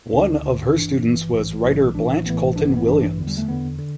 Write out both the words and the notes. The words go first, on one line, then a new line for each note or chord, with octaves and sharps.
One of her students was writer Blanche Colton Williams.
D2 D3 D4
D2 D3
G1 G2 E3 D4
G1 G2 E3
B1 A2 E3
B1 A2 E3 E4
A1 A2 E3 D4
A1 A2 E3 B3
A1 G2 E3 D4
B3
B3
A1 G2 E3 D4
E2 D3
G3
A3
E2 D3 B3
D3